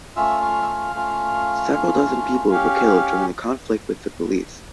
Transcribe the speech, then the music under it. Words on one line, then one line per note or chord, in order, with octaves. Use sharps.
Several dozen people were killed during the conflict with the police.
A3 C#4 F4 E5
F5
E5
F5
A3 C#4 F4
A3 C#4 F4
C#4 G4 F5